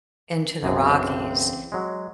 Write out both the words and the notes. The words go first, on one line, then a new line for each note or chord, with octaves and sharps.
into the Rockies,
B1 F#2 C#3 E3 C4 D#5
F#3 G#3